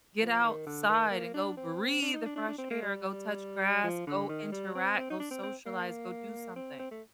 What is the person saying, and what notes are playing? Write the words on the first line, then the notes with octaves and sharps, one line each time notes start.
get outside and go breathe the fresh air, go touch grass, go interact, go socialize, go do something.
F3
D#3
D3
D#3
A#3
D4
C4
D4
D#4
D4
D4
D4
C4
A#3
G3
F3
D3
D#3
G3
C4
C4
D#4
D4
C4
C4
A#3
C4
C4
A3